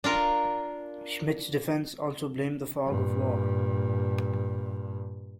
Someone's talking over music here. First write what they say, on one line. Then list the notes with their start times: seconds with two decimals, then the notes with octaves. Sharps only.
Schmidt's defense also blamed the fog of war.
0.04 D4 F4 A#4
2.86 G2 A#2